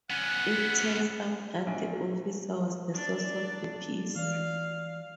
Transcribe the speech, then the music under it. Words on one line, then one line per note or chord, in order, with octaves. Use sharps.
It turns out that the officer was the source of the piece.
B3 C#4 F#5
A#1
F#3
D4 D5
E3 D5 F5